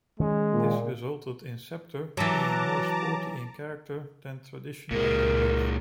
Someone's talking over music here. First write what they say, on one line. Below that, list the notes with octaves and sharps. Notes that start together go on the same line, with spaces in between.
This resulted in the Sceptre being more sporty in character than traditional Humbers.
D#3 G#3 C#4
A#2
E3 F#3 A5 A#5 D6
C#2 A#2 G#3 A#4